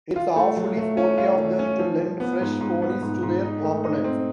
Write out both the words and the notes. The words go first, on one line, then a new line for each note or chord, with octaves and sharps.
It's awfully sporty of them to lend fresh ponies to their opponents.
F4
A3
F#3
A3
C#4
F4
A3
C#4
F3
F3
B3
G#2
G#2
B3
G#2
G#2
D#4
A3
D#4
C4